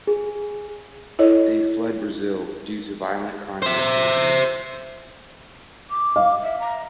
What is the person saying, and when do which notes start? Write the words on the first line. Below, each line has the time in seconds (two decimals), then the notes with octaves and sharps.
They fled Brazil due to violent crime in their community.
0.07 G#4
1.19 E4 A4 C#5 D#5
3.62 C5 E5
5.89 D6
6.16 F5
6.41 E5
6.59 A#5